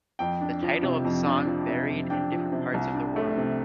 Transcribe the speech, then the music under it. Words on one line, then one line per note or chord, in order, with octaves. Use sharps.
The title of the song varied in different parts of the world.
F2 G5
D4
F3
C3
F2
D4
F3
C3
F2
D4 G5
F3
C3
C2
D4
A3
C3